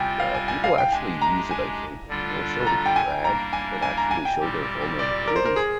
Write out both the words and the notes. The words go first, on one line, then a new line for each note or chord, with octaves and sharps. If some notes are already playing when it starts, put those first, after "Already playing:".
uh, people actually use it, I think, more so to brag than actually show their vulnerabilities.
Already playing: C3 G3 C4 F4 G5 G#5
F5
G#5
G#5
F5
G5
G#3 D4 G4 G#5
A#5
G#5
D3 G3 D4 F4
A#5
G5
G#5
G3 A#3 D4 A#5
G#5
G#5
A#5
G#5
G5
A#2 G3 C4 G4
D5
A#4
C5
A#4
G#4